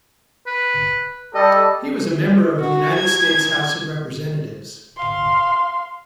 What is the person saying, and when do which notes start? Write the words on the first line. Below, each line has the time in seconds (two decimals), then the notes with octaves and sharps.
He was a member of the United States House of Representatives.
0.46 B4
1.34 G3 A4 D#5
2.60 F#4
2.95 G#6
4.96 F5 C6